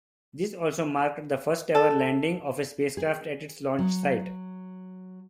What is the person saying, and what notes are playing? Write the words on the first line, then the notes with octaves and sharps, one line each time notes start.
This also marked the first-ever landing of a spacecraft at its launch site.
A4
G#4
F#3